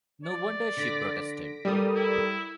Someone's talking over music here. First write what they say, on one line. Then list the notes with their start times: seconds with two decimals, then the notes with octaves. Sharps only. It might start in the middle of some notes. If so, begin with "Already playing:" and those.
No wonder she protested.
0.24 D5
0.77 D3 A#6 B6 D7
1.65 G3 A4 A#4 D#6
1.96 E4